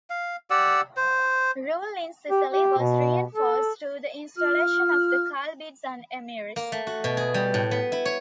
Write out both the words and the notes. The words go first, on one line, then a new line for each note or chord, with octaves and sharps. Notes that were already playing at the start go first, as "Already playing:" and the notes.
Rule in Sicily was reinforced through the installation of the Kalbids as Emirs.
F5
G4 D5 F#5 E6
C5
G4
G4
B2
A4
F4 F6
A#3
A3
F#4
B2
G#4
G3
A2
B3
E4
C#5